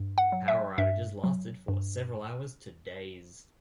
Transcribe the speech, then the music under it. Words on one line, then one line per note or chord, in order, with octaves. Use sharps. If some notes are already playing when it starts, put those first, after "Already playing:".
Power outages lasted for several hours to days.
Already playing: G2
F#5
F#3
E5
G2 E5
F#3
G2